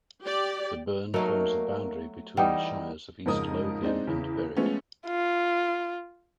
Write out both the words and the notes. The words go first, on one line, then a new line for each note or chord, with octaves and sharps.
The burn forms the boundary between the shires of East Lothian and Berwick.
G4 D5
F#3 A3 A#3 D#4 A#4
E2 E3 G3 D#4 B4 F#5 G5
F2 G#2 C#3 A#4 D#5 D#6
G#3 C4 D4 D#4
E2 C#3
F3 G#3 A3 B3 C#4
F4